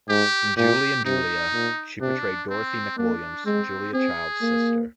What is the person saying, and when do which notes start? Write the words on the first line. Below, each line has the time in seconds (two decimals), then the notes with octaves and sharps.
In "Julie and Julia," she portrayed Dorothy McWilliams, Julia Child's sister.
0.09 G#2 G4
0.57 A#2 G4
1.05 C3 D#4
1.53 A#2
2.01 C3 D4
2.50 C4
2.97 A#3 D4
3.46 G#3 C4
3.93 C4 G#4
4.42 A#3